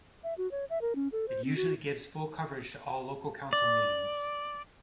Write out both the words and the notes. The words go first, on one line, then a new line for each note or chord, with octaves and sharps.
It usually gives full coverage to all local council meetings.
E5
F#4
C#5
E5
A#4
C#4
A4
C5
C4
F#4
D5